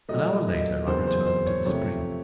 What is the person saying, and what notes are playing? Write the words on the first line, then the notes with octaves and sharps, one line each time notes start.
An hour later I returned to the spring.
A#2 F#3 A3 D#5
D#5
E2 C#3 F#3 A#3 C5
C5
C5
C#5
F2 C3 F3 A3 C#5